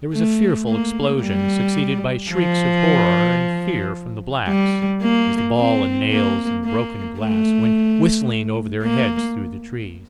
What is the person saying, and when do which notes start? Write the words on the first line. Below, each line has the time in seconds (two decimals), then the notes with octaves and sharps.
There was a fearful explosion, succeeded by shrieks of horror and fear from the blacks, as the ball and nails and broken glass went whistling over their heads through the trees.
0.14 A3
0.68 A#3
1.23 G3
2.31 F3
4.48 G3
5.02 A#3
5.57 C4
6.11 A#3
6.65 A#3
7.20 A3
8.82 A#3